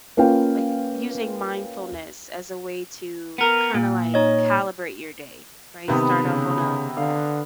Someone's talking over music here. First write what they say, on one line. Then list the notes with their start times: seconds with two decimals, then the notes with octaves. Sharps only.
Like using mindfulness as a way to kinda like calibrate your day, right? Start off on a
0.17 A#3 C#4 F4 B4 F5 G5
3.38 B3 A#4
3.74 A#2
4.14 D#4 C#5 D#5
5.88 C3 D#3 B3 B4
6.24 C#3
6.97 D3 F5